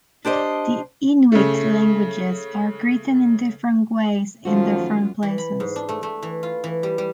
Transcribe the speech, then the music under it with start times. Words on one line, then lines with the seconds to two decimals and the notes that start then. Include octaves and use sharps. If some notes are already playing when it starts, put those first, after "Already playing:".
The Inuit languages are written in different ways in different places.
0.25 D4 G4 C5 D#5
1.32 C#3 A3
4.45 F#2 D#3 F3 A3 F4 F#4
5.23 E3
5.38 B5
5.60 G#2
5.76 D4
5.89 A3
6.03 A3
6.23 E3
6.43 F4
6.64 E3
6.83 G3
6.98 G3